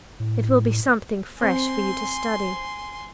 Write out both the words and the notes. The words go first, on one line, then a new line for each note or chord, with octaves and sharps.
"It will be something fresh for you to study."
A2
C4 G#5 C6